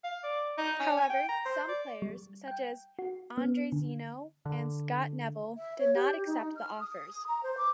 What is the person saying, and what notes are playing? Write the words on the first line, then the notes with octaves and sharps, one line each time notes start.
However some players, such as Andrezinho and Scott Neville, did not accept the offers.
F5
D5
D#4
C#4
G#5
G5
A#5
C5
D5
G3
G5
F#4
B3
D3
D3
E5
C#5
G4
D#4
F6
D#6
A#5
C5
D6